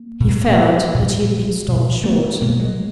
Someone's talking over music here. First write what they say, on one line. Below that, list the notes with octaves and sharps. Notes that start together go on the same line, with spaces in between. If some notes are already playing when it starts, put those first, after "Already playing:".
He felt that he had been stopped short.
Already playing: A#3
A#2
A#2
B2
A3 B3
B2 G#3 A#3
F#3 G#3